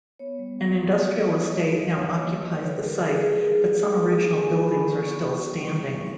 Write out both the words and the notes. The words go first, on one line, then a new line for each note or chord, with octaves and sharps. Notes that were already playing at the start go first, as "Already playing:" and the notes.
An industrial estate now occupies the site but some original buildings are still standing.
B3 C#5
G3
G3
G3
G3
E4
D#5
G3 C#5
G3
D#5
D#4
G3 C#5
A#3
D#5
G3
G#3 B4
G#3
A#4
G#3
G#3 G#4
D#4 G#4
G4
D#4
A#3 G#4
G4
D#4 G#4
A#4
D#4
D#4 G#5
D#4
B5
D#4
B3 C#6
E4
E4
G3
G3
G3